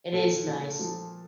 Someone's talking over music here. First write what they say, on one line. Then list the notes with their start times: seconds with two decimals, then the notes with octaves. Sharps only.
it is nice
0.12 A#2 A4
0.47 A#2
0.79 F3